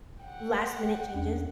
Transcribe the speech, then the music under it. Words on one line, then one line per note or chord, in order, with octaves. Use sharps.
last minute changes,
F#5 G5
E2 C#4 D4